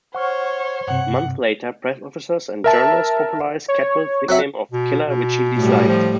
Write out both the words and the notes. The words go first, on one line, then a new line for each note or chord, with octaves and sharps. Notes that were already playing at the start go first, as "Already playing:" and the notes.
Months later, press officers and journalists popularised Caldwell's nickname of "Killer", which he disliked.
C5 C#5 F#5 C#6 F6
G2 C3 F#5
A#4 E5 A5
C#5
F#3 C4 E5 F#5
B2
B2
A2 G3
F3